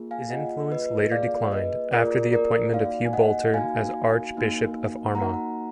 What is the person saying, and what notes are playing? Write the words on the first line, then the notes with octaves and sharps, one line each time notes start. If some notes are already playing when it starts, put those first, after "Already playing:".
His influence later declined after the appointment of Hugh Boulter as Archbishop of Armagh.
Already playing: A#3 F4 G#4
F5 G#5
A#3 F4 G#4 D#5 F#5
B4 D#5
A#3 F4 G#4 D5 F5
B4 D#5
A#3 F4 G#4 A#4 D5
A#4 D5
A#3 D#4 F#4 D5 F5
G#5
D#5 F#5
A#3 D#4 F#4 F5 G#5
A#3 D#4 F#4
A#3 D#4 F#4 F#5 A#5